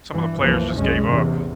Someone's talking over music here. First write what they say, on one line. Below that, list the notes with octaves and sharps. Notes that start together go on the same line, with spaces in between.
some of the players just gave up.
G2 E3
C2 F#2 E3 F3 A#3
F1 C2 F#2 G#3 C#4
A1 E2 C3 E3